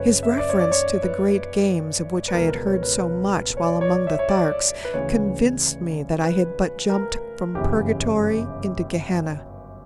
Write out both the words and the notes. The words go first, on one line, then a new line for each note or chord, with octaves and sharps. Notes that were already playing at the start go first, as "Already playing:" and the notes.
His reference to the great games of which I had heard so much while among the Tharks convinced me that I had but jumped from purgatory into gehenna.
Already playing: F#1 F#2 C#3 B4 C#5
E5
D5
C#5
D5
C#5
B4
B4
C#2 B2 A#4
B4
C#5
B4
B4
C#5
D5
C#5
D5
E5
C#5
D5
B4
D2 C#3 E3 C#5
B4
A#4
G1 F#2 C#3 E3 G4